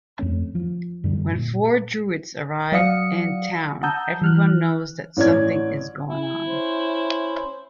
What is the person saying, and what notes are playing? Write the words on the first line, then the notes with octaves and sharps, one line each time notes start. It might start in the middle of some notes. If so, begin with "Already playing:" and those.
When four Druids arrive in town everyone knows that something is going on.
F2 A3 C#4
F3
F#2 D3 G3
A#2
F#3 D5 F5 F#5 D#6 C#7
F#5 A5 A#5 D#6 E6 G6
E3 F6 F#6
A1 C#4 C#5 D5 G#6
E4
C#4 C5